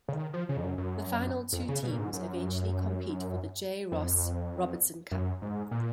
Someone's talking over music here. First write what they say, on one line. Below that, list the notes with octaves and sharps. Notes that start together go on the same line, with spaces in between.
The final two teams eventually compete for the J. Ross Robertson Cup.
C#3
D#3
F3
C#3
F2
F#2
F#2
F2
C#3
B2
A#2
G#2
F#2
F2
F#2
G#2
A#2